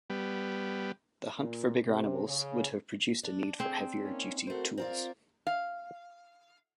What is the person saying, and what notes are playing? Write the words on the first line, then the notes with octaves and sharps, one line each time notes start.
The hunt for bigger animals would have produced a need for heavier-duty tools.
G3 B3
A#2
C3
C#3
D4
D3 C4 G#4
A#3 C#4 D#4
A3 F#4 A4 A#4 C5
C4 F4 A#4 D5
F5